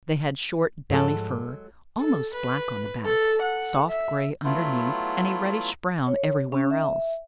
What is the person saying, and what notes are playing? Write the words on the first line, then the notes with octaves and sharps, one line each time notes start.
They had short, downy fur, almost black on the back, soft gray underneath, and a reddish brown everywhere else.
G#2 F3 F#3 G#3 A4
A4
B4
A4
F#5
E5
F#3 A3 B3 E4 F4
C#5
C#4
E5